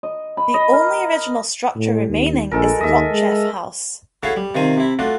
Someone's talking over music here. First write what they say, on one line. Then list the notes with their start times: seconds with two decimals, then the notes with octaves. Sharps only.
The only original structure remaining is the Rotchev House.
0.03 D#5
0.37 B5
0.54 D#5
0.73 A#4
1.75 A2
2.09 D#2
2.51 A#1 G#3 A4 A#4
2.80 D#2 D#5 E5
3.12 G#3
4.23 E4 F#4 G#4 A4 C#5 F5
4.36 G3
4.55 C3 D#3 C4 F4 C5 G#5
4.77 C3 E4
4.99 A3 D4 F4 F#4